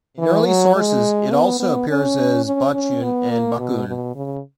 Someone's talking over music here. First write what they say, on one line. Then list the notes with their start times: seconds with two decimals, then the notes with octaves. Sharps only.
In early sources, it also appears as "Bachun" and "Bacun".
0.19 E3
0.46 F#3
0.76 G#3
1.32 B3
1.60 B3
1.89 C#4
2.45 C#4
2.74 C#4
3.03 B3
3.31 A#3
3.59 B2
3.88 B2
4.15 C#3